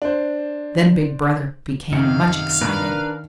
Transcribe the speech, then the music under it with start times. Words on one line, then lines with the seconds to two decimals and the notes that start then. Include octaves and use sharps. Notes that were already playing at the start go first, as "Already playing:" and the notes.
Then Big Brother became much excited.
0.02 D4 C5
1.92 F#2 C3 D#3 D#4 F5 C#7
2.61 D4 A#4 B4